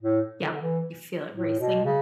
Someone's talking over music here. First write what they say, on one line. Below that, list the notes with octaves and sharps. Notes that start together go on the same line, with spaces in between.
Yep. You feel it racing?
A2
D3
D3
E3
A2
B2
C#3